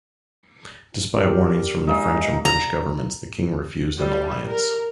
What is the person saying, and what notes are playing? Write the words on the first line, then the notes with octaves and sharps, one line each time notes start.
Despite warnings from the French and British governments, the king refused an alliance.
D4 G4 A#4
E3 G#3 D4 D#4 F5
A#5
G3
A#4